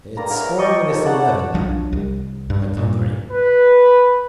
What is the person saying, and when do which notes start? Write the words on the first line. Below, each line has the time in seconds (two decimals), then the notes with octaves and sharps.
"It's four minutes to eleven now," went on Dorry.
0.17 G2 G3 A#3 A#5
0.30 C#3 A#3 B3 E4 A#4
0.59 D5 D#5 G5 A5 C#6
0.88 D#2
1.05 E4 A4 A#4 C#5 D5 F#5
1.54 B1 F3 F#3 D4
1.93 C2
2.50 G2
2.77 G2 A#2
3.31 B4